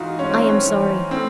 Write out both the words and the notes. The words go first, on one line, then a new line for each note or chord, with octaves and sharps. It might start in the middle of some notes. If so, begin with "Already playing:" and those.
I am sorry.
Already playing: G#2 E3 D#4 F4 F#4
G#2 C#4
C4
C#4
E3
A2 C4